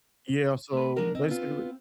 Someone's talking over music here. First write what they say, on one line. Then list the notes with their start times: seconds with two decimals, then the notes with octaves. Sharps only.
Yeah, so basically
0.74 A3 B4
0.96 F3 G#3 D4 F#4 A#4
1.15 C4 D#5
1.28 B3 F4